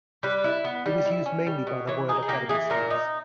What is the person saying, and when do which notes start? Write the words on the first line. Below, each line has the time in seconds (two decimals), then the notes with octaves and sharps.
It was used mainly by the Royal Academy Schools.
0.23 G3 B4
0.44 E4
0.64 B3
0.86 G3
1.05 E4
1.26 C#4
1.47 G3
1.67 B2
1.87 E3 C#5
2.09 D#4 G#4
2.22 G#4
2.29 A#3 G4
2.49 E3 G#4
2.70 A#2 A#4
2.90 D#4